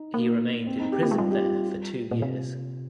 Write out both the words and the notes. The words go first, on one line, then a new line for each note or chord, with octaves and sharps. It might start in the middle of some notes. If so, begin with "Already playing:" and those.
He remained imprisoned there for two years.
Already playing: D#4
A#3
C4
D#4
G4
A#3
F4
G#3
G3 F4
G4
F4
F4
A#2
C3